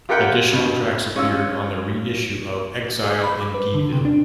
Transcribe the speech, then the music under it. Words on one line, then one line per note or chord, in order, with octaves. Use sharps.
Additional tracks appeared on the reissue of "Exile in Guyville".
F4 G4 A#4 E5 F#5 G5
G2 B2
G#3 C#4 F4 E6
G#4
B5
D6
B4
D3
C3
D4